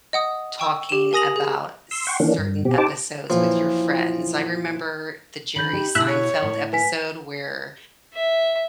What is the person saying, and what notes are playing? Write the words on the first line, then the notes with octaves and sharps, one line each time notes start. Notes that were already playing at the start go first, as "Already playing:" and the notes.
talking about certain episodes with your friends? I remember the Jerry Seinfeld episode where
D#5 F#5 D#6
G5 C#6 E6
G4 E7
A#4 G#5 D#6 A#6 F7 F#7
G#4
C6 E6
F#5 G5 C6 C#6
D#3 E3 A#3 C#4 D4
G2
B2 C4 G4
D#4 G4 C5 A5 D6
F#2 A#2 E3 F3
D#3 B5 G6 F#7
D#4 G4
B2 E4 F#4 E5 F#6
C#5
A2 E4
B4 G#5 B6
E5